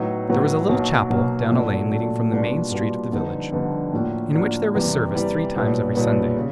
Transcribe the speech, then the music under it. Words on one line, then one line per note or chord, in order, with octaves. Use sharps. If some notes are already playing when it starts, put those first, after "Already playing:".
There was a little chapel down a lane leading from the main street of the village, in which there was service three times every Sunday.
Already playing: A2 F#3 B3 D#4
A2 F#3 B3 D#4
B1 B2 F#3 A#3
B1 B2 F#3 A#3
A#2 F#3 A3 D4
A#2 F#3 A3 D4
B2 G3 A#3 D4 F4
B2 G3 A#3 D4 F4
F2 D3 G3 B3 D#4
F2 D3 G3 B3 D#4
A2 F3 A#3 D4 F#4
A2 F3 A#3 D4 F#4
E2 C3 E3 G3
E2 C3 E3 G3
B1 A#2 G3 B3
B1 A#2 G3 B3
C#3